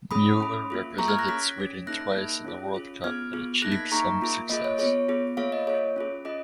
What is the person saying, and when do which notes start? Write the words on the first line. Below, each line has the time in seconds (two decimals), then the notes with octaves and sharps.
Mueller represented Sweden twice in the World Cup and achieved some success.
0.11 C#4 G#4 B5 D#6
0.40 C#4 G#4
0.70 A#3 F4 G#4
0.98 A#3 F4 G#4 A#5 C#6
1.08 F6 G#6
1.18 F#6 A#6
1.28 C#4 G#4 G#6 B6
1.58 C#4 G#4
1.87 A#3 D#4 G#4 F#6 A#6
2.17 A#3 D#4 G#4
2.45 C#4 F4 G#4
2.74 C#4 F4 G#4
3.04 B3 F4 G#4 F6 G#6
3.33 B3 F4 G#4
3.62 A#3 D#4 G#4 F#6 A#6
3.72 G#6 B6
3.92 A#3 D#4 G#4 A#5 C#6
4.21 A#3 F4 G#4
4.50 A#3 F4 G#4 D#5
4.64 C#5
4.79 B3 F4 G#4 C#5
5.08 B3 F4 G#4
5.37 A#3 F4 G#4 C#5 F5
5.52 D#5
5.67 A#3 F4 G#4 C#5
5.96 C#4 F4 G#4
6.25 C#4 F4 G#4 D#5